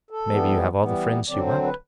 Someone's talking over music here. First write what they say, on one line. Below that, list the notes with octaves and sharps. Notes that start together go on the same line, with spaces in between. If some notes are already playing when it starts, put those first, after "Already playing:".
But maybe you have all the friends you want.
A4
E3 G3 B3
E3 G3 B3
D3 F#3 C4 D5
C5
B4